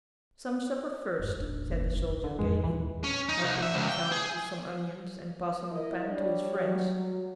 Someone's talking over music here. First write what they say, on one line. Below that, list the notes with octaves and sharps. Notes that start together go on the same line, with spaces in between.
"Some supper first," said the soldier gayly, helping himself to some onions and passing the pan to his friends.
F1 G#2
D#1 A1 D4
F#1
D3
A1 F2 G#3
D#2 A#2 E3
C#4
D#4
C2
E5
C#2
G5
G#4
E4 A#4 D#5
G3 D4 C#5
F#3